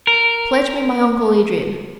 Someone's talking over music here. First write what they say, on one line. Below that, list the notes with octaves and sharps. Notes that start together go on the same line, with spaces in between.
Pledge me my uncle Adrian!
A#4